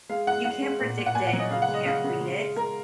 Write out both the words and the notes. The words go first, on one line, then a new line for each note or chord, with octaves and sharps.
you can't predict it, you can't read it,
G#3 F5
G#3 F#5
G#3 F#5
G#3
A#2
A#2
F#5
A#2 G#5
F#5
F#3
D#5
C#3 F5
F#5
G#3
D#5
C#3 F5
C#3
G#3
G#3
G#3 A#4